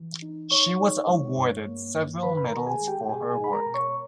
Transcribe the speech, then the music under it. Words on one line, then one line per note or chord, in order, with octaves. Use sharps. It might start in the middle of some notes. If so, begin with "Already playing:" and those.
She was awarded several medals for her work.
Already playing: E3
D#4
D#4 C#5 C#6
D#4
G#3
G2
A#3
G2
D#3 B4 B5
B5
A#4 A#5
D#3
G#4 G#5
G#3
G4 G5
B2 G#4 G#5
G#4 G#5
G#3
B5
A#4 A#5
B2
C#5 C#6